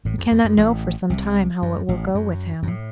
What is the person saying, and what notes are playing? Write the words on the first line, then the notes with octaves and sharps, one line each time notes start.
We cannot know for some time how it will go with him.
A1 A2
F2
F2
F#2
A1 A2
C2 C3
F#2
A1 A2
F#2
F#2
A2